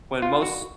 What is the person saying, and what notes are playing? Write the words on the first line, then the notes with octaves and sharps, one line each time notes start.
when most
F4
F#4